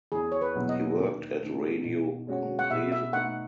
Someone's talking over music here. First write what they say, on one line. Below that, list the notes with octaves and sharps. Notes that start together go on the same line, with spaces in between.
He worked at Radio Congreso.
E2 G#4
C#5
B4
B2 F#3 B3 E4
D#5
D#2
D#3 A3
B2
G#3 C#4 F#4 C#5
F#5
B2 E5
E5
A3 D#4 F#5